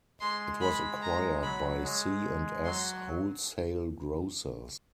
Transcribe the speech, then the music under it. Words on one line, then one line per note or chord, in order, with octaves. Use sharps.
It was acquired by C and S Wholesale Grocers.
G#3 C6
B5
A#5
F#3 B5
G#3
F#3 C6